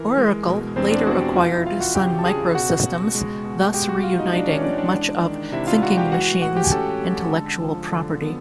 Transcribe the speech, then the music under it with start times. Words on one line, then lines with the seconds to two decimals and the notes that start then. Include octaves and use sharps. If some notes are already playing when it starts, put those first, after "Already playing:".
Oracle later acquired Sun Microsystems, thus re-uniting much of Thinking Machines' intellectual property.
Already playing: E3 A#4
0.17 G#3
0.47 B2
0.76 E2 C4 C5
0.91 D4 D5
1.06 B2 F#4 F#5
1.21 G4 G5
1.36 F2 F4 F5
1.51 E4 E5
1.66 E3 F4 F5
1.80 F#4 F#5
1.95 C#3 G4 G5
2.19 A5
2.25 C#3 G#4 G#5
2.55 B2 F#4 F#5
2.86 B2
3.15 G#3
3.44 B2
3.74 G#3 G4 G5
3.89 F#4 F#5
4.03 G#3 F4 F5
4.18 D#4 D#5
4.33 E3 D4 D5
4.48 C#4 C#5
4.63 E3 D4 D5
4.78 D4 D5
4.93 G#3
5.22 D#3
5.52 C3 E4 E5
5.67 F4 F5
5.82 G#3 F#4 F#5
5.97 G4 G5
6.12 E3 F#4 F#5
6.42 A2 F#4 F#5
6.56 G4 G5
6.64 G#5
6.71 C#4 A4 A5
7.01 G#3
7.31 D3
7.61 F3
7.91 D3
8.21 B3